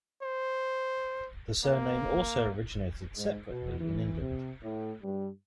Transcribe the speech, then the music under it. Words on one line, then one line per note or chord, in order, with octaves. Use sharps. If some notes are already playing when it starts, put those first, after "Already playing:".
The surname also originated separately in England.
C5
A#3
G#2
B2
E3
C3
A2
G2